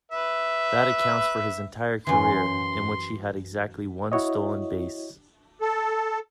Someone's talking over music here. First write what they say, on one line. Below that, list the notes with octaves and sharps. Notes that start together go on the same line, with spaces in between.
That accounts for his entire career, in which he had exactly one stolen base.
B4 E5
F#2 E3 C6
E4 F#4 C#5 D#5
A4